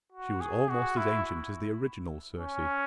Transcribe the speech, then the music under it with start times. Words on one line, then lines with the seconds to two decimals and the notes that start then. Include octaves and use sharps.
She was almost as ancient as the original Circe.
0.12 F#4
0.41 G#4
0.69 F#4
0.97 E4
2.39 C#4